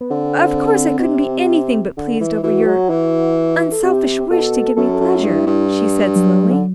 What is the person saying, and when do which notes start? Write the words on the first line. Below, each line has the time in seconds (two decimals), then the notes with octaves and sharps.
"Of course I couldn't be anything but pleased over your unselfish wish to give me pleasure," she said slowly.
0.01 B3
0.10 D3 C4
0.98 B2
1.04 C3
1.97 D3
2.20 E3
2.43 E3 F#4
2.67 F#3
2.90 E3
3.72 A4
3.83 C3 G4
4.30 B2 A4
4.76 F#2 A4
5.00 F#2
5.23 G2 E4
5.46 G2
6.16 F#3
6.52 D3